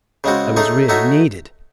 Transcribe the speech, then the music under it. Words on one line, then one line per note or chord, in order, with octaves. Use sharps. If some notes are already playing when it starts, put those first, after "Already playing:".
I was really needed.
C#3 G#3 C4 F#4
A3 D#4 G#4 C#5
A3 D#4 F#4 C#5 E5